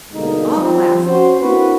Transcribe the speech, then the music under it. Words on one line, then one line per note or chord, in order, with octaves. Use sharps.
"All glass."
G2 B2 D3 G#3 A#3 D#4
F3 G3 C4
C#4 F#4 C5
A#3 C4 D4 E4 F#4 B4